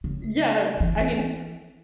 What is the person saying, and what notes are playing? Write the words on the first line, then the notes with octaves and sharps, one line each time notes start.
Yes, I mean,
C#3
E3